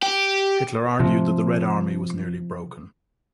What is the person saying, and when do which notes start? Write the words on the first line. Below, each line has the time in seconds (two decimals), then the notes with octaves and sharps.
Hitler argued that the Red Army was nearly broken.
0.03 G4
1.00 C3 F3